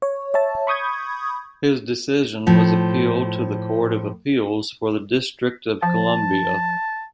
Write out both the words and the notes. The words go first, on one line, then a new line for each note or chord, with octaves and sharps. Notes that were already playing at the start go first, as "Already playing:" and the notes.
His decision was appealed to the Court of Appeals for the District of Columbia.
C#5
C#5 E5 A5
B5 C#6 D#6 G6 G#6
A2 F3
F3 A5